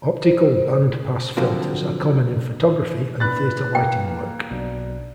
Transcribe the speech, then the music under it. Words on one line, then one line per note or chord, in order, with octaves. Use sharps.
Optical band-pass filters are common in photography and theatre lighting work.
C5
D3 F3 F#3 A#3 C4
E3 B3 D4 B5 F#6 A6
A#3 G5
B1 B2 D4